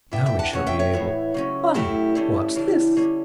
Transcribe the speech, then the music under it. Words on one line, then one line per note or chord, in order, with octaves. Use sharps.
"Now we shall be able--Why, what's this?"
E3 B3 D4 E5 G5
E5 G5
F#5 A5
B2 F#3 A3 C#4 F#5 A5
E5 G5
C#5 E5
A2 E3 B3
C#3 F#3 C#4
A2 F#3 A3 C#4 E4 G4
D3 A3 C#4
C#3 E3 G3 D4
D3 G3 C#4